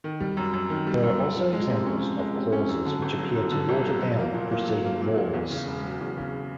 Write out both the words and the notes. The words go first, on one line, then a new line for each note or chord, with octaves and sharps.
There are also examples of clauses which appear to water down preceding laws.
D#3
G3
F#2
F#2
D#3
G3
F#2
F#2
F3
G#3
C3
C#4
F3
G#3
C3
C#4
F#2
D3
G1
F#3
F#2
D3
G1
F#3
F#3
A#3
A#2
A#2
F#3
A#3
A#2
A#2
E2
C#3
E1
F#3
E2
C#3